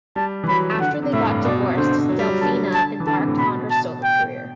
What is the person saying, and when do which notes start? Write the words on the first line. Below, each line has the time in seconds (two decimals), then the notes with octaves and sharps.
After they got divorced Dellfina embarked on her solo career.
0.16 G3 A5
0.44 E3
0.48 F#3 B5
0.75 E3
0.81 D3 F#5
0.91 D3
1.03 C3
1.13 A2 E5
1.24 G2
1.35 G2
1.45 B2 D5
1.61 C3
1.77 D3 C5
2.09 F#3
2.19 G3
2.29 F#3
2.42 D3 A5
2.74 A5
3.00 E3
3.07 D3 A5
3.18 C3
3.28 A2
3.38 B2 B5
3.70 A5
4.03 G5